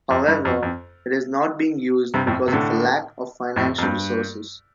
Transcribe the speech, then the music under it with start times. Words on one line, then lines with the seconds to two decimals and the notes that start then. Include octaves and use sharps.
However, it is not being used because of a lack of financial resources.
0.11 F2
0.28 G2
0.45 F2
0.63 F2
2.14 G2 C3
2.27 F2 A2
2.48 C3
2.53 A2 D3
3.56 F2 A2
3.78 F2
3.83 G2